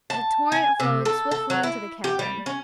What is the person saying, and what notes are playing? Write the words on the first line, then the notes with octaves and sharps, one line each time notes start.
The torrent flowed swiftly into the cavern.
A5
G#5
C3
A4
A4
F#3
E4
G4
G3
C#4